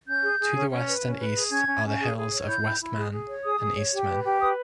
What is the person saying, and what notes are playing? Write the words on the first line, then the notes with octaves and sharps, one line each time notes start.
To the west and east are the hills of West Man and East Man.
C#4 G6
G#4
G#4
C#4
C#4
B4
C#4
B4
G#4
C#4 G#6
C#4
C#4
G#4
G#4
C#5
E4 G6
E4
E4
G#4
G#4
C#5
G#4 D#6
G#4
C#5
G4
B4
G4
B4 D#6